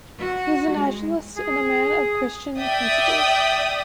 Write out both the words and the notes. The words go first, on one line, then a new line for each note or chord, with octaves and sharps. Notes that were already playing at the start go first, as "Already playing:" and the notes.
He is a nationalist and a man of Christian principles.
F#4
G#3
G#4
D5 E5 G5 D#6